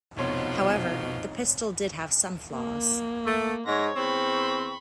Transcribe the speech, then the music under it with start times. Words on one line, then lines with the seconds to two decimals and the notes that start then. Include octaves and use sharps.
However, the pistol did have some flaws.
0.17 F1 G2 B2 D3 F3 D#4 C#5 C6
2.53 A#3
3.26 A3
3.66 G#2 C#5 A#6
3.96 E2 C4 B5 C#6